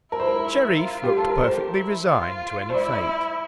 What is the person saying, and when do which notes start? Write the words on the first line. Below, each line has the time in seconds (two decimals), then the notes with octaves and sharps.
Shereef looked perfectly resigned to any fate.
0.12 E4 A#4
0.20 C5
0.27 A#4
0.77 F4
1.04 G4
1.17 A4
1.30 A#4
1.43 G4 C5
1.75 E4
2.08 F4
2.70 C5
2.74 E4 D5